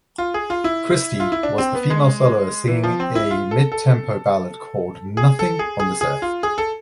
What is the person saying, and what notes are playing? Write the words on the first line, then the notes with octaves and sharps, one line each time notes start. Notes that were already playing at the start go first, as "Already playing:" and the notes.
Christie was the female soloist singing a mid-tempo ballad called "Nothing on This Earth".
F4
G#4
F4
E4
F4
E4
D4
C4
B3
G#3
E3
F3
C4
E4
F4
A4
A4
G#4
A4
G#4
G#4
G#4
F4
G#4
A4